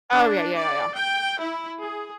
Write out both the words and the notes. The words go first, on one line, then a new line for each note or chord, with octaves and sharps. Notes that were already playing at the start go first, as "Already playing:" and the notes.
Oh, yeah, yeah, yeah, yeah.
D4
D5
G5
E4
G#4